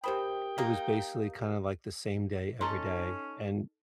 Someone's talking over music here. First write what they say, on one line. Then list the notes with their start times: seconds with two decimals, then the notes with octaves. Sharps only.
it was basically kinda like the same day every day, and
0.04 C3 G4 A#4 C5 G5 B5 D#6
0.58 A#3 D#4
2.61 C#4 D#4 A4 A#5 C6